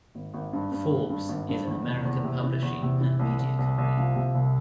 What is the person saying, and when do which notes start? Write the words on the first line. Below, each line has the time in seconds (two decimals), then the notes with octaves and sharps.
Forbes is an American publishing and media company.
0.15 G#1
0.34 G#1
0.53 G2
0.72 G2
0.91 G#1
1.10 G2
1.29 G#1
1.49 G2
1.67 E2
1.86 F1
2.05 E2
2.24 C3
2.44 E3
2.62 E2
2.82 C3
3.01 E3
3.20 C2
3.39 C2
3.59 C2
3.78 C2
3.97 F3
4.16 C3
4.34 C2